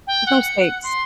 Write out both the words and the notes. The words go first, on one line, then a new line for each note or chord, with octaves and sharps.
There's no stakes.
G5
F#5
C#7
F#5
C6